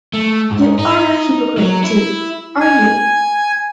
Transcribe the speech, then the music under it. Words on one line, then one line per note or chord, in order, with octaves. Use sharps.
You are a hypocrite, too, are you?
A3
G#2
D#4
F#3
E4
G#5